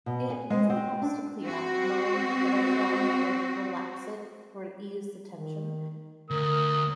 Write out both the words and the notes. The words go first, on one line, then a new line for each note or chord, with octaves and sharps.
it really helps to clear out the mind that I found, and relax it, or ease the tension.
B2
G#5
G#3
C4
D4
C4 F#4
D#3
D2 A#4 D#6